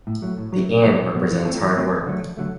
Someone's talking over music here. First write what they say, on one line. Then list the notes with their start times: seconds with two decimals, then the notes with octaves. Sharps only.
The ant represents hard work.
0.07 A2
0.22 F#3 A3
0.38 A2
0.53 F#3
0.58 A3
0.68 B1
0.83 B2 F#3 A#3
0.99 B1
1.14 B2 F#3 A#3
1.29 E3
1.45 A3 C4 F4 A4
1.60 E3
1.76 A3 C4 F4 A4
1.91 F2
2.06 D3 F#3 A3
2.21 F2
2.37 D3 F#3 A3